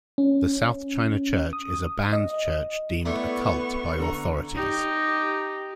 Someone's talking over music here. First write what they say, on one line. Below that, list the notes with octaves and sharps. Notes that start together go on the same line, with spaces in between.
The South China Church is a banned church deemed a "cult" by authorities.
C#4
D#6
D#5
A3 B3 D4 E4 C#6
D3 A#5
D#4 G4